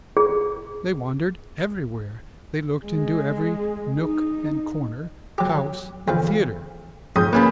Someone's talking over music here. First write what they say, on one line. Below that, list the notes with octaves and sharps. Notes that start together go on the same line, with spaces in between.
They wandered everywhere, they looked into every nook and corner, house and theater.
G#4
G#3
D#4
F#3 G4
E2 D3 F3
F2 G#2 C#3 D#6 G6
A#3 C#4 B4 G#5 A5 B5